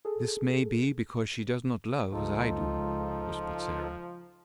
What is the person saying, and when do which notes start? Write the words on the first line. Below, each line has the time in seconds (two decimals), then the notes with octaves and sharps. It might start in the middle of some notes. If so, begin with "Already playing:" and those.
"This may be because she does not love as I do," whispered Sarah.
0.05 G#4 A4
2.13 C#2 F3 D#4 F4 A4